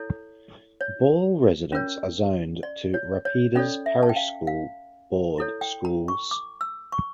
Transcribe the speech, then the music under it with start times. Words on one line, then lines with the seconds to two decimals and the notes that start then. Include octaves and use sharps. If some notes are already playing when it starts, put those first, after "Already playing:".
Ball residents are zoned to Rapides Parish School Board schools.
Already playing: E4 A4 C#5
0.81 C#5
1.72 C#4 F4 A#4 C#5
2.63 D5
2.94 C#5
3.25 C#5
3.55 C#4 F4 A4 C#5 D5
3.86 E5
4.03 A5
4.09 G5
4.16 F5
4.47 F5
5.38 E4 A4 C#5
5.61 G5
5.85 A#5
6.08 C#6
6.31 D6
6.61 E6
6.92 C#6